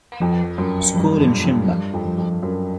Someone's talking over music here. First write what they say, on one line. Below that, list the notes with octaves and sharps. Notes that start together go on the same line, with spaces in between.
School in Shimla.
F2 F3
F#2
G2 F3
G2 E3
G2 F3
G2 F3
F2
F3
F2
F#2